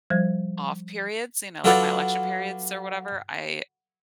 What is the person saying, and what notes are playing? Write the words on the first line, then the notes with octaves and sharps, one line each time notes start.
off periods, you know, like my election periods or whatever. I
F3 G3 C5 G#6
F#3 F4 A4 B4 D5 F#5